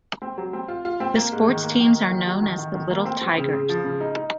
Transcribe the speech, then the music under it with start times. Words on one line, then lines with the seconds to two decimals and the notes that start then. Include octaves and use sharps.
The sports teams are known as the 'Little Tigers'.
0.22 C4
0.38 F#3
0.53 C4
0.68 F4
0.85 F4
1.00 C4
1.16 A#3
1.32 G#2
1.48 D#3
1.63 A#3
1.80 D#3
1.95 A#3
2.11 D#3
2.27 F#3
2.42 D#3
2.58 D#3
2.75 D#3
2.90 A#3
3.05 C4
3.21 C4
3.38 C#3
3.53 C#3
3.69 F3
3.84 C#3
4.01 D#4
4.17 D#4